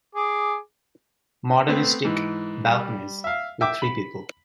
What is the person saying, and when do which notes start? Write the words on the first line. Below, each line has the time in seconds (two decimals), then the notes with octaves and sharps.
Modernistic balconies with three people.
0.15 G#4 D6
1.68 A3 B3 C4
2.05 G#2 E3
2.65 G3
3.24 E5 F5
3.61 E5 G5 D6
3.82 B5